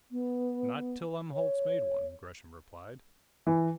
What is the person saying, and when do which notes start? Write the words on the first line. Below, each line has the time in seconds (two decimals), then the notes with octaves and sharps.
"Not till Umholtz made one," Gresham replied.
0.12 B3
1.33 C#5
3.47 E3